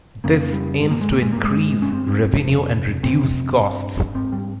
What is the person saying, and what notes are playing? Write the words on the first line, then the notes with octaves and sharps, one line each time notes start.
This aims to increase revenue and reduce costs.
F2 C#3 A#3
G3
G2 G#3
A#3
G#3
A#3
G#3
G2 A#3
G#3
C#4
G2 C4
F2 C3
F2 C3 C4
G2
G#2 C4
G3